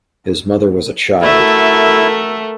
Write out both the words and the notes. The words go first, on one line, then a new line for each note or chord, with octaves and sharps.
His mother was a child.
A3 E4 F#4 A4 A#4 E5